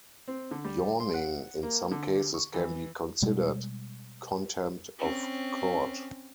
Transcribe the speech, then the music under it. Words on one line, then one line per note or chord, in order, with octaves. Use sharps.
Yawning in some cases can be considered contempt of court.
C4
D3
G3
C6
F#5
A#3
D3
C#6
E3
B2 G3 G#3
C4 C#4